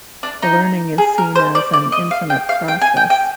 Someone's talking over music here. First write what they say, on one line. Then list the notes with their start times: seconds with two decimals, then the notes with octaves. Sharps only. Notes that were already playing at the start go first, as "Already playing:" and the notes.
The learning is seen as an infinite process.
0.23 D4
0.42 D#4
0.98 G#4
1.18 A#4
1.35 C5
1.55 D5
1.73 D5
1.92 D#5
2.11 F5
2.30 G5
2.49 F5
2.68 G5
2.82 G#5
2.97 G5
3.10 G5